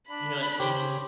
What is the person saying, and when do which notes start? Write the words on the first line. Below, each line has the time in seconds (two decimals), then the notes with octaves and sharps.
you know, at least
0.10 D4 B5
0.60 C#3 G4 C5